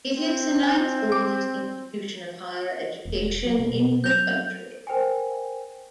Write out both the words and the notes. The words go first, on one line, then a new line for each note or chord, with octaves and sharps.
It is the ninth oldest institution of higher education in the country.
C4
G#5
D6
E1
F#3
B2
F#3 G6 F7
A#4 C5 G5 G#5